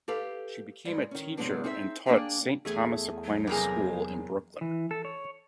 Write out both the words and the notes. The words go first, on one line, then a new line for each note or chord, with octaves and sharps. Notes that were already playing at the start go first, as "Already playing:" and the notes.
She became a teacher, and taught at Saint Thomas Aquinas School in Brooklyn.
G4 A4 B4 F5
G2 G#3
D#3 C#4
G2 C3 F#3 G#3 B3 D4
C4 D#4 G#4 C#5 E5
A#3 D4 G#4 D5 G5 G#5
E2 A3 G#4 G#5
F#3
G2 C3 A#3 G#4 G5 A#5
E3
A4
C#5